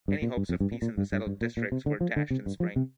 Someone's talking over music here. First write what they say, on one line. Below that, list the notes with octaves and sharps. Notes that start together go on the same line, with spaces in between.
Any hopes of peace in the Settled Districts were dashed in spring.
G2
A#2
G2
F2
G2
A#2
A#2
G2
G2
G2
A#2
A#2
C3
D3
F3
D3
C3
G2
F3
C3